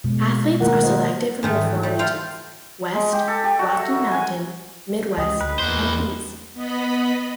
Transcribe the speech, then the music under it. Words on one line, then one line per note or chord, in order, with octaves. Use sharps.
Athletes are selected from the four regions: West, Rocky Mountain, MidWest, and East.
B2 G#3
D#3 A3 A#3 F4 A#4 F#5
F4 C5 D#5
G#2 D#3 A3
E3
G3 A3
F4 A4 F5 G5
G#3
G4
A4
G4
F#4
E5
A#4
G#5
C#2 D#5 G5 D#6
D2 B4
E2 A#3 C5
B3 D#5 B5